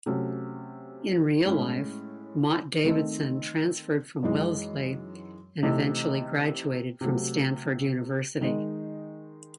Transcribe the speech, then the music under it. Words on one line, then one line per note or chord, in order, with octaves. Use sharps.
In real life, Mott Davidson transferred from Wellesley and eventually graduated from Stanford University.
C3 F#3 A3 C#4
A2 G#3 C#4 E4
D#3 A3 C4 D#4
F#2 E3 G#3 D#4
C3 E3 A3 D#4
C3 F#3 A3
D#3 G#3 D#4